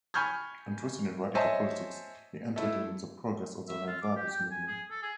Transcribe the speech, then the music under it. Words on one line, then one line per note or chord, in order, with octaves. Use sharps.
Interested in radical politics he entered in the progress of the Land Values Movement.
G#5 B5 C#6 F6 G6 G#6
C5 C#5 D#5 E5 G#5 A5
A3 E4
E5
F4
D6
G4
G5
G#5
G#4
A4
G#4